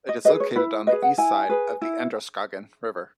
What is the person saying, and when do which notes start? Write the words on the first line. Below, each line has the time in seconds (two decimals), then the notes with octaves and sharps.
It is located on the east side of the Androscoggin River.
0.09 D#5
0.25 B4 D#5
0.28 G#4
0.40 C#5
0.56 E4 B4
0.87 B4 D#5
0.92 G#4
1.02 F#5
1.18 E4 G#5
1.49 G#4 B4
1.81 E4